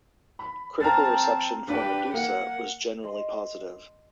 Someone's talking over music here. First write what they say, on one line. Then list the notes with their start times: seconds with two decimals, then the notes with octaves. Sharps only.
Critical reception for "Medusa" was generally positive.
0.39 B5
0.80 C4 A5 A#5 F6 A6
1.68 G2 D4 G4 B4
2.14 A#3 F#5
3.04 D#5 C6